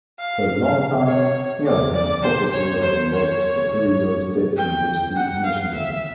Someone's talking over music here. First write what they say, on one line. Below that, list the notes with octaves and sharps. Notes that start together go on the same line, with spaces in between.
For a long time he has been a professor at the Lake Superior State University, Michigan.
F5
C#5
D5
D5
C5
C#5
C5
C#5
G5
F#5
F5
E5